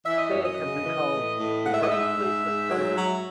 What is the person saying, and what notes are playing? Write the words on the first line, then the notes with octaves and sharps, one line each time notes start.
Passaic has been called "The Birthplace of Television".
E3 E5
D#5
F#2 C#5
D#5
C#3
E3
A2
A2
G#2 F#5
E5
D#5
G#2 E5
G#2
G#2
F#3
F#3